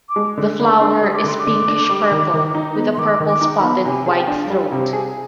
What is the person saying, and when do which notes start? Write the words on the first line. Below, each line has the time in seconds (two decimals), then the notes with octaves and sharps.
The flower is pinkish-purple with a purple-spotted white throat.
0.08 D6
0.16 G#3
0.37 D3
0.59 D3 B5
0.81 D4 C6
1.02 G3 D#6
1.15 D6
1.24 D3 C6
1.39 D6
1.46 D3
1.68 D4
1.89 G3
2.12 D#3
2.34 D#3
2.55 D#4
2.76 B3
2.94 C6
2.97 D#3 D6
3.20 D#3
3.27 D6
3.41 D#4
3.56 B5
3.63 B3
3.85 C3 G#5
4.06 G#4 G#5
4.14 G5
4.28 D4
4.43 F5
4.50 G3
4.72 C3 C5
4.93 G#4